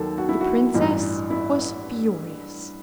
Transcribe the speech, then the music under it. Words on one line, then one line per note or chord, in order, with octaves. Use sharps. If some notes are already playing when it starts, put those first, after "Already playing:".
The princess was furious.
Already playing: D#2 D#3 F#3 A4
F#4
E4
F#4
A1 G2 E3 G3
E4